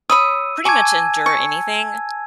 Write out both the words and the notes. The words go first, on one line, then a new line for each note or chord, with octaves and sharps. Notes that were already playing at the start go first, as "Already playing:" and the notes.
pretty much endure anything
C#5 B5 D#6 E6 D#7
G#5 A5 C#6 D6 G#6
C#6